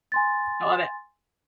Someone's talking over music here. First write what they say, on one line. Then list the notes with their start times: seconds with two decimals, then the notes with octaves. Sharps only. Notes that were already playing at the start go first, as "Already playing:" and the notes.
I love it.
0.12 G#5 C6 A6